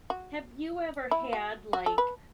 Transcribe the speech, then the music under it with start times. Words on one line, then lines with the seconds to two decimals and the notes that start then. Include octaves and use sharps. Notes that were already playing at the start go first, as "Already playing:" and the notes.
Have you ever had, like
0.10 F#4
1.11 E4
1.33 F#4
1.73 F#4
1.86 A4
1.98 B4